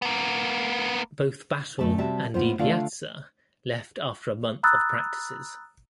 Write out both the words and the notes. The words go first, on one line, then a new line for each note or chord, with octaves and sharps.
Both Battle and DiPiazza left after a month of practices.
A#3 B3
F#2 D3 A3 E5 A5
C3 G3 C4 F#4 E5 A5
A2 B3 F4 C5
D3 A3 D4 F4 D5 F5
A#5 B5 D#6 E6 F#6 A6